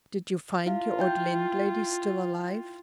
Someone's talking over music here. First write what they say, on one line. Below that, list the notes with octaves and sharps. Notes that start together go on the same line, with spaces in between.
"Did you find your old landlady still alive?"
E4 F4 F5
E4 G5 G6